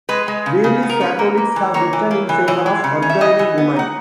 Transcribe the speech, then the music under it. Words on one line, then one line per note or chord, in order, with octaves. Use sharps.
Various Catholics have written in favor of ordaining women.
G#3 B4
G#3
C#3
C#3
B3
A#4
C#4 B4
A#3
A#3
E3
A#3 C#5
E3
A#3
E3
E3
G#3
C#3
C#4
E5
E3 D#5
E3
B3
D#4 F#5